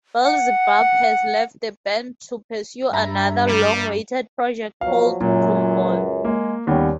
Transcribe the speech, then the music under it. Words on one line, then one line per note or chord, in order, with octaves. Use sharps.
Beelzebub has left the band to pursue another long-awaited project called Gloomball.
F#5
G2 E5 A#5 B5
G3
B2 F3 F#3 F5
C#2 F#2 A#2 F#3
G#3 A#3
D#2 G3 B3 C#4